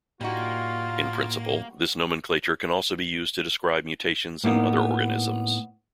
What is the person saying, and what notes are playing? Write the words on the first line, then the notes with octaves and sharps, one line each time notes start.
In principle, this nomenclature can also be used to describe mutations in other organisms.
A2 G3 A#3 D#4 F4 F#4
A2 A#3 B3 D#4